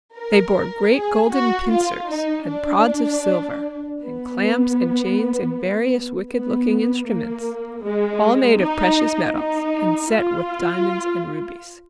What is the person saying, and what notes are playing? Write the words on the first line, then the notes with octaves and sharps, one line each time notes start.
They bore great golden pincers, and prods of silver, and clamps and chains and various wicked-looking instruments, all made of precious metals and set with diamonds and rubies.
A#4
G#4
F#4
F4
D#4
D4
B3
B3
A#3
G#3
D#4
D#4
F4